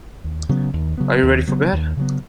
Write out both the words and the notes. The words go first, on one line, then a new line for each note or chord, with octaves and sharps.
Are you ready for bed?
D#2
C#3 F#3 B3
D#2
C#3 F#3 B3
D#2
C#3 F#3 B3
D#2
C#3 F#3 B3